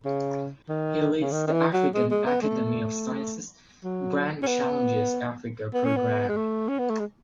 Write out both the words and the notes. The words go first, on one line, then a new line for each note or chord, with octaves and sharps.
He leads the African Academy of Sciences Grand Challenges Africa Programme.
C#3
D#3
C#3
D#3
D#3
E3
F#3
G#3
G#3
B3
A3
F#3
C#4
B3
B3
C#4
B3
G#3
A3
C#4
B3
A3
G#3